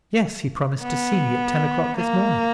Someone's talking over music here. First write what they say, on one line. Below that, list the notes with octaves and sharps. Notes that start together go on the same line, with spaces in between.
"Yes, he promised to see me at ten o'clock this morning."
B3
A#3